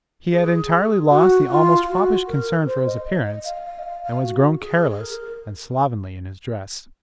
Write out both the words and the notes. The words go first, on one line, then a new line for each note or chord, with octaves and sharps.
He had entirely lost the almost foppish concern for his appearance, and was grown careless and slovenly in his dress.
G#4
F#4
F4
F#4
A#4
C5
D#5
D#5
F5
F5
D#5
F5
F5
F#4
G#4
G#4
A#4